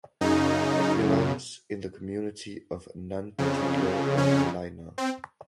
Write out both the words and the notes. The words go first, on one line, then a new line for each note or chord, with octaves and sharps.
It belongs in the community of Nantyglo and Blaina.
F#2 C#3 D#4
F2 C#3
C#4
C4